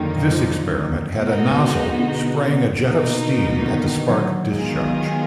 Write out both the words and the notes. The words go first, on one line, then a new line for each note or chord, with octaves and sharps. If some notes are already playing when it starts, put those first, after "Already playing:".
This experiment had a nozzle spraying a jet of steam at the spark discharge.
Already playing: F2 D3 D#3 F#3 A#3 D#4
F3
B2 G#3 B3 D#4 F#4
D3
B2 A#3 D#4
D3
D#3
F#3
D#3 F#3 G#3 B3 F4 G#4